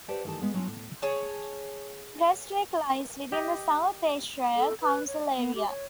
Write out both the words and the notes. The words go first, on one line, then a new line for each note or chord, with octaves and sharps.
Prestwick lies within the South Ayrshire Council area.
G4 B4 C5 D5 F#5 A5
D#3 E3 A3 G4 A5
G#3 B3 G#4
F#3 C#4 D4 F4
A2
G#4 C#5 A5
G4 D#5
A4
B4
C#5
G5
B3
G4
C#5